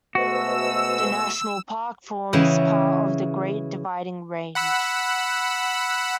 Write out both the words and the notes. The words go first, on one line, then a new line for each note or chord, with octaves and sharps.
The national park forms part of the Great Dividing Range.
B2 G#3 A3 F#4 B4 C5 D#5 E6
C#3 E3 E4 F#4 D#5 G5
F#5 B5 E6